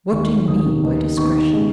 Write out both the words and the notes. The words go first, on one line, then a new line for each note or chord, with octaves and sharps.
"What do you mean by discretion?"
D#2 D#3 G#3 D#4 C#6
D#2 D#3 G#3 D#4 D#6
D#2 D#3 B3 D#4
D#2 D#3 B3 D#4 C#6
C#3 G#3 D#4